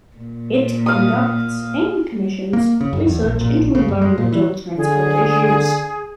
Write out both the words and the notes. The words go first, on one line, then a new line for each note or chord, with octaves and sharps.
It conducts and commissions research into environmental transport issues.
A#2
F5 D#6
A#3
C#3
F#2
E2
A#1
A#2
A#1
C#3
F#2
G#3
A#2
E3
D3 G#4